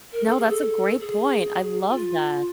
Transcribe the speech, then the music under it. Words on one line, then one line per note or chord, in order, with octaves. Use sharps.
No, that's a great point, I love that.
A#4
A4
G#4
A4
G#4
F4